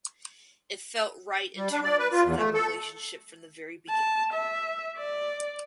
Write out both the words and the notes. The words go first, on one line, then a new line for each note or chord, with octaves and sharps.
It felt right in terms of that relationship from the very beginning.
G3
D4
D5
B4
F4
E2
A3
A4
A5
E5
D5